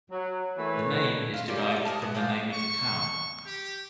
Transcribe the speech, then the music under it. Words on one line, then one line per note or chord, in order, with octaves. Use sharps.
The name is derived from the name of the town.
F#3
E3 A3 A#3 B4 C#5
F4
G3 A#3 C#4 D4
D5 E5
G#4 A#4 D#5 A5
B3
G#3 C4 D4 F4
C#6
G4